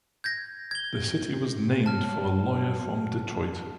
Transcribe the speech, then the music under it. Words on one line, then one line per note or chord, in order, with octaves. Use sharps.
The city was named for a lawyer from Detroit.
G6 G#6 A#6
G#6 G7
F#3 A5 F6